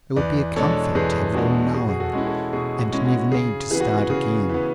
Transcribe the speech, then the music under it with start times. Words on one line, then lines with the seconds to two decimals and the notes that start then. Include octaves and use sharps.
It would be a comfort to have it all known, and never need to start again.
0.16 E2 B4 D5
0.56 B2 G#3 D4 A4 C#5
0.95 E2 G#4 B4
1.34 B2 G#3 D4 F#4 A4
1.74 B2 G#4
1.81 F#4
1.89 G#4
2.00 F#4 A4
2.13 G#3 C#4 E4
2.27 F#4 A4
2.53 B2 G#4
2.79 F#4
2.92 G#3 C#4 E4
3.06 F#4
3.31 C#3 G#4
3.71 E3 B3 G#4
3.80 F#4
3.98 F#4
4.10 C#3 G#4
4.50 E3 B3